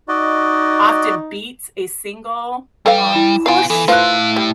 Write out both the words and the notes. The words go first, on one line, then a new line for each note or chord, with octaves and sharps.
often beats a single, um, push
D#4 F#4 D5 D#5
G3 A4 B4 F5
E4 B5 E7
B3 F4 F5 G#5
E3 A4
A3 E4 F4 B4 C5 F5 F#6
G3